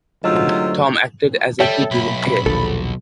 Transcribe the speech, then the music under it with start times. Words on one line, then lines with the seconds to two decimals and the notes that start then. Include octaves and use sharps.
Tom acted as if he didn't care.
0.24 D2 G#2 C3 F#3 F4 D#5 E6
1.60 G3 A4 C#5 E5 G5
1.91 B1 B5
2.46 A#1 D#2 A4